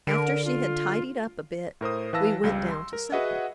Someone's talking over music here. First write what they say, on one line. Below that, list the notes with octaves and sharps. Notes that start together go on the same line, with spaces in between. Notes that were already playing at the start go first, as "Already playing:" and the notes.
After she had "tidied up a bit" we went down to supper.
D3 A#4
F4
A2 A#4 C5 D#6
E3 B4 F5 A5 E6 A#6
C#2 G3 F5
C6
A#4
F#4 G#4 B4 D#5 E5 F#5